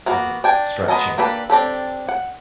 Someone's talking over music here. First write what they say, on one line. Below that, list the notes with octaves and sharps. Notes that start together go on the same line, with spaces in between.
um, stretching.
A#3 B3 F#4
D4 G5 G#5
G#3 B3 D#5 A5 A#5
A#3 D4 G4 A4 B4
C4 D4 G4 A4
F#5